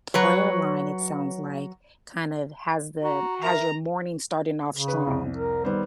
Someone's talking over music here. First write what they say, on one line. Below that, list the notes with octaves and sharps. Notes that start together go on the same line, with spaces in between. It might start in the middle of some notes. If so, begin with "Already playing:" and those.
prayer line, it sounds like, kind of, has the has your morning starting off strong
F#3 B4 C#5
F#4 A#5
D#3 A#4 E5 A#5
C#3
B4
C2 F2
A#4
D#3 G3 B3 C5